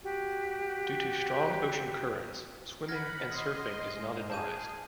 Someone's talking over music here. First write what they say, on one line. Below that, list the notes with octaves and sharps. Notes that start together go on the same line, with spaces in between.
Due to strong ocean currents, swimming and surfing is not advised.
F#4 G4
F#5 B5 F6 G#6 A#6
D#5 C6
G#2
G#4 A5 G6 D#7